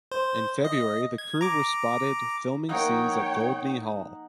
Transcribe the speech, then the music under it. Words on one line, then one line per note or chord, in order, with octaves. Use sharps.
In February the crew were spotted filming scenes at Goldney Hall.
C5
D#5
G#6
A#5 D6
F3 A#3 D#4 A#4 C#5 F#5 G5 A#5